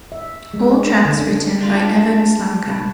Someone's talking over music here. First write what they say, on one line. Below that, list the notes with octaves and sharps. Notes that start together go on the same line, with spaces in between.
All tracks written by Evan Slamka.
E5
G#3
C#4
D3
D4
G#3 D4 F4
A5
C#2 B2